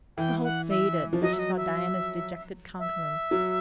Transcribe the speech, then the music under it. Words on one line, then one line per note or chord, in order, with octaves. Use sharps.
But the hope faded when she saw Diana's dejected countenance.
E3 G5
F#5
E5
F3
F#3 D#5
E5
D#5
E5
E5
F#3